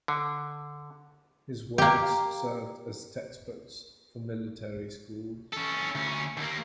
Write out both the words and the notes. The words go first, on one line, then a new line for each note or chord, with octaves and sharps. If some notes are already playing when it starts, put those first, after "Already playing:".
His works served as textbooks for military schools.
D3
A#3 G4
C#4 A4
D2 C#4
D#2 A#3